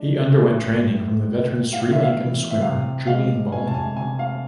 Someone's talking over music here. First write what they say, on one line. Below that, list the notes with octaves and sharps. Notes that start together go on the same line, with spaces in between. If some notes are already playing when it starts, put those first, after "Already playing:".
He underwent training from the veteran Sri Lankan swimmer Julian Bolling.
Already playing: G#3 D4
A1
A2
A2
A2 F5
E5
F5
E3
E5
C3 F5
G#3 F5
C3 G#5
A5
G#5
C3 G#5
F5